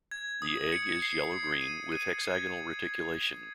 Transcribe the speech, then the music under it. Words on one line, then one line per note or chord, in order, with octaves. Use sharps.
The egg is yellow-green, with hexagonal reticulation.
G#6
D#6
C#7
C7
G#6
D#7
D#7
G#6